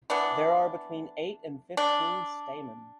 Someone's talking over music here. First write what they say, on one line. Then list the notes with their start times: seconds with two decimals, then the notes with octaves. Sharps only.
There are between eight and fifteen stamens.
0.10 E3 B3 D4
1.77 D4